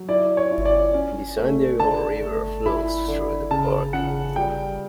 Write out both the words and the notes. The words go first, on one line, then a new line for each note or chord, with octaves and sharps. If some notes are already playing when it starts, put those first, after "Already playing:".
The San Diego River flows through the park.
Already playing: F#3
E4 D5
C#5
E4
D5
C#4
A3
D3 A5
A3
E4 B5
D3
C#3 A5
C#3 F#5
G3 G5